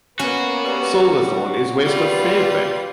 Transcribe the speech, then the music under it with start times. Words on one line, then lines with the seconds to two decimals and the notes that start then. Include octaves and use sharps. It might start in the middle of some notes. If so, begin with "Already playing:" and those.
Silverthorn is west of Fairbank.
0.19 A#3 B3 C#4 F#4
0.65 G3
1.86 G3 B3 F4 B4